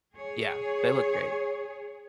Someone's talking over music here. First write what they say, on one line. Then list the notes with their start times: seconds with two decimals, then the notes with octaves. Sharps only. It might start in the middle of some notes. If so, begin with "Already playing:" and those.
Yeah, they look great.
0.14 G#4 C#5